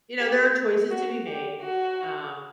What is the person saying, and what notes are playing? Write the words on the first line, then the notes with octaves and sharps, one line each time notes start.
you know, there are choices to be made, um,
G4
F#4
G4
F#4